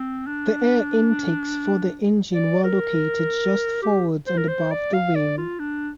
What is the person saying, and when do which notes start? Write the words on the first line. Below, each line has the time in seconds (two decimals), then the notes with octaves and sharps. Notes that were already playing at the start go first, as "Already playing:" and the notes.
The air intakes for the engine were located just forwards and above the wing.
Already playing: C4
0.27 D4
2.34 D5
2.64 A#4
3.82 G4
4.27 C5
4.38 A#4
4.48 C5
4.71 D5
4.93 F5
5.15 D5
5.38 F4
5.59 D4